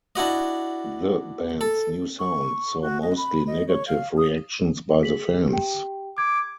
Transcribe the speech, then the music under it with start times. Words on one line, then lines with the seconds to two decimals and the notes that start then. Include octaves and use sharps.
The band's new sound saw mostly negative reactions by the fans.
0.16 D4 E4 F#4 D#5
1.61 A4
2.19 C#6
2.81 F#4
3.02 D#5
3.17 B5
3.47 D#5
3.68 C#5
3.87 F5
4.17 D#6
5.01 G#4 B6 F#7
5.49 G4 G5
6.18 D6 G#6